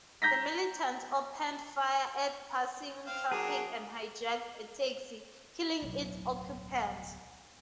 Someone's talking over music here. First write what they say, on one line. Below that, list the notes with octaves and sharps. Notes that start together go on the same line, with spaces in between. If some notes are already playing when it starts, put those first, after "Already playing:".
The militants opened fire at passing traffic and hijacked a taxi, killing its occupants.
A#5 G6 A#6 B6
C4 F5
F#3 A#3 D4 G#4
D1 B1